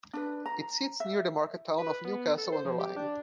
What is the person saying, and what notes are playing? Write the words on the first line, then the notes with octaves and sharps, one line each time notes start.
It sits near the market town of Newcastle-under-Lyme.
D4 B4
A#5
E5
B4
B3
A4
C5
F3
G4
D4